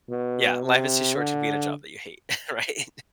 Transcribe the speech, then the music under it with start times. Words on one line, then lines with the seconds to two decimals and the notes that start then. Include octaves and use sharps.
Yeah, life is too short to be at a job that you hate, right?
0.10 B2
0.63 C3
1.16 D3